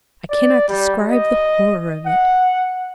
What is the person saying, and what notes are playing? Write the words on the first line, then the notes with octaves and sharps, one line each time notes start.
I cannot describe the horror of it.
D5
G3
D#5
F#5